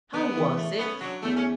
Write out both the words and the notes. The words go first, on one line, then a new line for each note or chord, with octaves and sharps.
How was it?
D3 B3
E2
A3
B3 C#4
D3 F#3
E2 A3
C#4